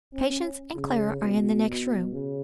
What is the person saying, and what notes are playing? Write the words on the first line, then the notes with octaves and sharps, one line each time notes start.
Patience and Clara are in the next room.
C#4
C#3
B2
B2
C#3